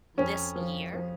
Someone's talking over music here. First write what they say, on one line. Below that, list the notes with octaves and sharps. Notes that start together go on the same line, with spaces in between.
this year,
F2 C#4
F3
F3